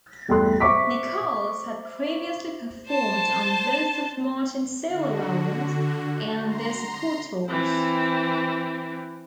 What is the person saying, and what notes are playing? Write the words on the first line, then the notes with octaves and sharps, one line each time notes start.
Nicholls had previously performed on both of Martin's solo albums and their support tours.
E2 G3 A3 C6 F#6
C5 E5 C#6 D6 B6
C5 A5
D3 F#4
A#5 C6
E3 C4